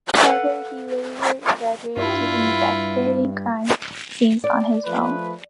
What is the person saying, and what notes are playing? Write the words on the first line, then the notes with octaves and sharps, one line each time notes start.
However, he later graduated to investigating crime scenes on his own.
A4 B4 F5 F#5
G2 E4 F4
D5
F3 A3 B4